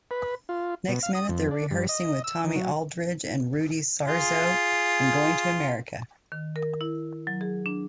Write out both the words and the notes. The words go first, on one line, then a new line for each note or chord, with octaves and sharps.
Next minute, they're rehearsing with Tommy Aldridge and Rudy Sarzo, and going to America.
B4
F4
B2
F5
D#6
F2
D4
G2
D#5
E6
D#3
F#3
F4 G#4
D#3
A#4
E4
F#3
G#4
D4